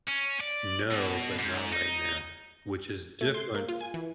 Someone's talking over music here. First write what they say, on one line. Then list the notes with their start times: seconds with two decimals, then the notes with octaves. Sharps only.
No, but not right now, which is different.
0.07 C#4
0.40 D5
0.91 B2
1.39 G#2
1.73 D#4
3.21 A3
3.34 C6
3.55 A#3
3.68 F4
3.81 G#5
3.94 E3